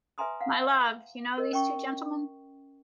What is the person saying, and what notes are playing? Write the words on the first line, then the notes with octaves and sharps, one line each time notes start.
My love, you know these two gentlemen?
B4 E5 G#5 A#5 C6 D#6
F5 F#5
A#4 D#5
C#4 G5 C#6